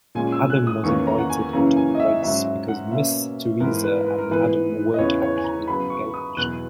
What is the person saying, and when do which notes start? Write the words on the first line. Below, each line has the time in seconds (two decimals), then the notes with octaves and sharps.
Adam was invited to the race because Miss Theresa and Adam weren't actually engaged.
0.15 A#2 G#3 C#4 G#5
0.32 E6
0.50 F#6
0.67 D#6
0.84 E2 D#3 A#3 C#4 C#6
1.07 A#5
1.19 F#5
1.30 G#5
1.53 F#2 C#3 E3 A#3 C#4 A#5
1.76 G#5
1.95 D#5
2.00 E5
2.22 G#2 F#3 C#4 E5
2.45 E5
2.68 F#5
2.91 B2 A#3 C#4 E5
3.60 G#2 E3 B3 A#4
3.84 B4
4.07 B4
4.18 A#4
4.30 G#2 E3 B3 B4
4.94 D#5
4.98 E2 C#3 E3 B3 C#5
5.22 C#5
5.37 G#5
5.44 A#5
5.67 C#3 F#3 B3 B5
5.90 C#6
6.14 D#6
6.37 E2 B2 F#3 B3 F#6